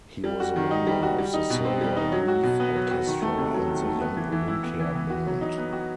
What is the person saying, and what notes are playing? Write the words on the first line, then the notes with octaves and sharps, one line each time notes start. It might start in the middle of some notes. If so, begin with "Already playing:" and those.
He was a member of the Silver Leaf Orchestra and the Young Olympia Band.
G3
F#4
D#3
D#4
G3
F#4
G3
D#4
B2
C4
G3
D#4
F#3
F#4
B2
B3
F#3
F#4
D#3
A3
C3
F#3
D#3
A3
B3
E3
E3
E4
B3
E3
B3
F#4
F#3
D#4
B3
F#4